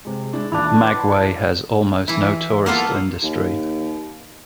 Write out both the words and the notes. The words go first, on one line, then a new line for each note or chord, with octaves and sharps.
Magway has almost no tourist industry.
C3 G#3
G#3 D4 E4
D#2 A#2 D4 E4 F7
B4 C6
E3 E4
A#3 B3 F4 A4
D#2